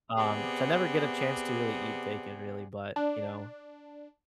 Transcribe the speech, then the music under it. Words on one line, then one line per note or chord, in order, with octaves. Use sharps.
Um, so I never get a chance to really eat bacon really, but, you know.
C3 B3 G#4 D5 F#5
D4